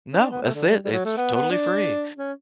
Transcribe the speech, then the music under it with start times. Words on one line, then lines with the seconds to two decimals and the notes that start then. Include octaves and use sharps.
No, that's it, it's totally free,
0.13 C#4
0.18 D4
0.30 B3
0.42 A3
0.55 D3
0.68 G3
0.85 G3
0.92 F#3
1.05 A3
1.17 B3
1.35 B3
1.51 D4
2.18 C#4